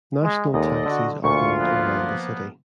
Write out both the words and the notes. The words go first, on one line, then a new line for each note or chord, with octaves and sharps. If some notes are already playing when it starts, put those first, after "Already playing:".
National Taxis operate around the city.
G#3
D#2 G#3 A4 D5 D#5
D3 F#4
D2 A#2 F4 C#6
F3 A#3 B3